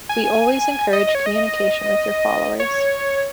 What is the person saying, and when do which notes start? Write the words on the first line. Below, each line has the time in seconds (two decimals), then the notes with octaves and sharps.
We always encourage communication with your followers.
0.09 G#5
0.93 D#5
1.07 D#5
1.15 C#5
1.26 D#5
2.60 C#5